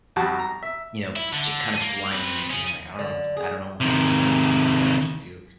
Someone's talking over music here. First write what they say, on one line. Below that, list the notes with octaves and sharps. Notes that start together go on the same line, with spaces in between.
you know, just kind of blindly being like, "I don't know what I don't know how this works. I don't know what I should do
B1 F2 G3 F#4 A5
A#5
E5
E4
D3
D3
A#3
C4 B4
C#4 G#4
D3
G#4
C3 D#3